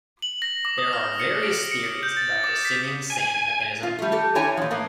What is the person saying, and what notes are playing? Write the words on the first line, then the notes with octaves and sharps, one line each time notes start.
There are various theories about the singing sand mechanism.
F#7
A#6
D6
D#6
F6
C#7
D7
C#7
G6
A6
D6
B6
G#5
F4
G3 A3
G4 A4
D3 E4 C#5 G5 G#5
A#2 F3
A2 A#3 B3